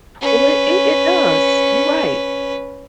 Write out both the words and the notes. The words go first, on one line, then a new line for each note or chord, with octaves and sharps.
Well, it it does, you're right.
C#4 B4